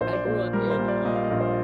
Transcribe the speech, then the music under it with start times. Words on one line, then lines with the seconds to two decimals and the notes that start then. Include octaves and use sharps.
I grew up in, um,
0.01 A#1 C5
0.13 D5
0.25 A#2 C5
0.53 G3 A#4
0.70 C5
0.79 A#2
0.88 D5
1.05 A#2 D#5
1.15 F5
1.23 D#5
1.31 A#1
1.40 C5